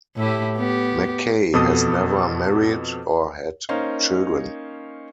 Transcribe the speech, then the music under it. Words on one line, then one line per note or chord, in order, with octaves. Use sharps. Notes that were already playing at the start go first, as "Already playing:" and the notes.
McCay has never married or had children.
A2 E4 G4
B3 G4
F2 B2 B3 A4 D#6
A#3 C#4 D#4 C5 F5